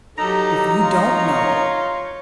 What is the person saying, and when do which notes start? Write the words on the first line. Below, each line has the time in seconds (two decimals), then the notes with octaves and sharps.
if you don't know
0.18 F#3 D#4 G4 A4 A#5
0.82 F4 C#5